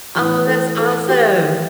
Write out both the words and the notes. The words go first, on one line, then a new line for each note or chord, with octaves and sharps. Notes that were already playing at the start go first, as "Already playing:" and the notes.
Oh, that's awesome.
E3
A2
A4
A4
G4